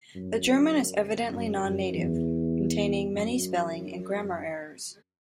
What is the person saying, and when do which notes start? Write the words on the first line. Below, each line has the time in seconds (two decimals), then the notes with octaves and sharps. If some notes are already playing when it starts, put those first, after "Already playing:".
The German is evidently non-native, containing many spelling and grammar errors.
0.15 F#2
1.35 F#2
1.65 F#2
1.94 E2
3.13 F#2